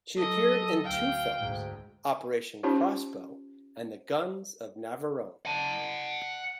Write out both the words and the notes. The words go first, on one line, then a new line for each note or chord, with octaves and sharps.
She appeared in two films: "Operation Crossbow" and "The Guns of Navarone".
F#3 A4 D#5
D2 F5 G5
D2 G#2
C#4 D#4 F4 G4 C5 C#5
F#5 A5